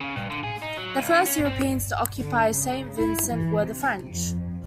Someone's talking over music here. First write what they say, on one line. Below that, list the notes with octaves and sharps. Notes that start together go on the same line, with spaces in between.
The first Europeans to occupy Saint Vincent were the French.
C#3
G2
D3
G#4
D#4
F#3
C#2
D3
C#4
C4
D3
C#3
E4
E3
C3
F2